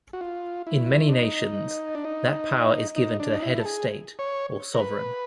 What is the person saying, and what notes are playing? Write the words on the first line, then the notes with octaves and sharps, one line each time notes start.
In many nations, that power is given to the head of state or sovereign.
F#4
F4
E4
D4
D#4
D4
D#4
D#4
D4
D#4
E4
A4
G#4
C#5
A#4
B4